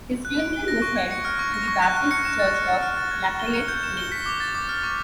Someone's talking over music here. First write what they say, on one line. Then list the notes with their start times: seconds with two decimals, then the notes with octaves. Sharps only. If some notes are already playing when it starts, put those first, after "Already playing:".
His funeral was held in the Baptist Church on Lafayette Place.
0.25 F#6
0.39 D7
0.53 G7
0.68 A#6
0.82 C#6
0.96 G#6
1.11 C#7
1.25 F6
1.39 C#6
1.54 A#6
1.68 C#6
1.82 F#6
1.97 F#6
2.11 C#7
2.25 E7
2.39 A6
2.54 F6
2.69 C#7
2.83 F6
2.97 A6
3.11 G#6
3.26 E7
3.40 G7
3.53 C#7
3.68 G6
3.83 E7
3.97 G7
4.12 B6
4.26 D6
4.40 A6
4.55 D6
4.69 F6
4.83 C#6